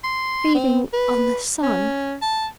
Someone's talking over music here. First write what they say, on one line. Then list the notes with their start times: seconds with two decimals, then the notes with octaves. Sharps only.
"Feeding on the sun!"
0.04 C6
0.54 C4
0.93 B4
1.63 C#4
2.21 A5